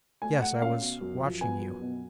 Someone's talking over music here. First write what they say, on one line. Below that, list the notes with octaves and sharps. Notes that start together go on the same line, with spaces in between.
"Yes--I was watching you."
A3 G#5
A3 F#5
C#4 F5
B2
F#2
F3
B3 G#5
F#2
B2